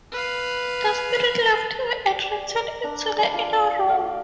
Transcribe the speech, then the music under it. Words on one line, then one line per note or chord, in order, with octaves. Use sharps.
The spirit left him and returned into the inner room.
B4 F5
D5
D4 A#5
G3 A5
F4 F5
A3 D5 F5 G5